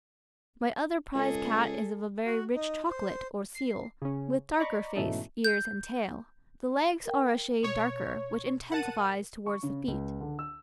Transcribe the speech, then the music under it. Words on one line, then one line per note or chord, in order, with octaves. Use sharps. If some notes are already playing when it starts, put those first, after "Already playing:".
My other prize cat is of a very rich chocolate or seal, with darker face, ears, and tail; the legs are a shade darker, which intensifies towards the feet.
C#2 G#4 A4
F#4
D#4
C5
C7
C#3 C#4
D5 D#5 A#5 B5 C#6 D6
G#2 B2 E3 A3 C#4 D#4
G6
A#4 G5
B2 C#5 C#6
A#4 F#5 A5 A6 D#7
C#6
C#3
C#2
D3
E6